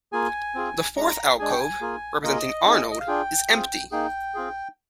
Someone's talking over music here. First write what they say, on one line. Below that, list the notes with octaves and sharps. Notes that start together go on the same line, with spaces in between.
The fourth alcove, representing Arnold, is empty.
A#3 F4 G#4 G#5
C4 F4 G#4
G#3 D4 F4 A#5
G#3 D4 G#4 G#5
G5
G#5
A#3 F4 G#4
A#3 F4 G#4 D#5
C4 D#4 G#4
D#5
F5
D4 F4 G#4 G5
C4 F4 G#4
A#3 D#4 G#4 G5
C4 F4 G#4